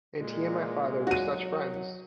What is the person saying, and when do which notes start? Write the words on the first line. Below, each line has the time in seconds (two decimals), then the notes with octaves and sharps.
And he and my father were such friends!
0.20 A#2 G#3
1.07 F#3 F#4 D#7